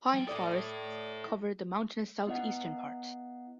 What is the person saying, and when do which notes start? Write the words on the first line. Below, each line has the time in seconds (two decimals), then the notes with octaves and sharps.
Pine forests cover the mountainous southeastern part.
0.14 F#3 G5
0.28 E4 A4 D5 D#6
2.27 B3 E4 D#5 F#5